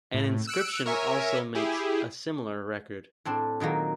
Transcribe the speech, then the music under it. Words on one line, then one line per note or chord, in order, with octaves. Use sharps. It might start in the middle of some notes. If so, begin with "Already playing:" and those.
An inscription also makes a similar record.
A2
E6 F#6 C#7 D7
A#4 C#5 E5 G#5
E4 G4 G#4
A2 C4 D4
A#2 D#3 F#3 A#3